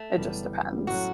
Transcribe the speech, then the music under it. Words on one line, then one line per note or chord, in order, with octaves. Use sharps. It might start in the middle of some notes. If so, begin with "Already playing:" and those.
it just depends.
Already playing: A3
F#1 F#2 E3 G3 B3
A2 F#3 C#4 F#4